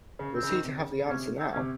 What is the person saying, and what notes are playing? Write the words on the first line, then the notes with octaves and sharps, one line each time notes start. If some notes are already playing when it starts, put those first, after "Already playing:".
Was he to have the answer now?
C#3
C4
C#3
D#3
C3
C#3
C#3
C#3
C3 C#4
C4
C3 C#4